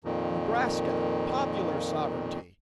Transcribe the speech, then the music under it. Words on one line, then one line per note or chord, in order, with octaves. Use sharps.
Nebraska--Popular Sovereignty.
F2 A#2 D#3